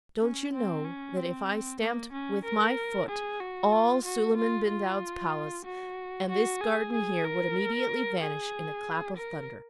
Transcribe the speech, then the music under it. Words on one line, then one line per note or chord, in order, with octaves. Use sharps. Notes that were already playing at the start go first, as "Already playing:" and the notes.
Don't you know that if I stamped with my foot all Suleiman-bin-Daoud's Palace and this garden here would immediately vanish in a clap of thunder.'
C#4
C4
C#4
C4
A#3
C#4
A#4
G#4
F#4
F4
F#4
F4
F4
F#4
F#4
G#4
G#4
A#4
G#4
A#4